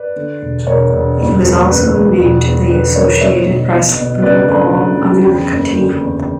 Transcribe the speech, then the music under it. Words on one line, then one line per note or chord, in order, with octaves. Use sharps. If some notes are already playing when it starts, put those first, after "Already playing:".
He was also named to the Associated Press "Little All-America" team.
Already playing: B4 D5
D3
E1
E1 A#4 C#5
E1
F#1
E2
F#1 B4
E2
E1
E2
D3 B4
D3 A#4 C#5
B2 C#5 E5
B1
B2
B2
C#3 B4 D5
D2
D2
C#3
E2 G5 B5
F#1
D3
E2